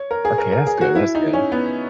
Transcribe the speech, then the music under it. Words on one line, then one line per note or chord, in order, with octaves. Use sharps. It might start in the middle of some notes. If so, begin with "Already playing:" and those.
Okay. That's good, that's good.
Already playing: C#5
A#4
G#4
A#4
A#4
G#4
F#4
E4
D#4
C#4
B3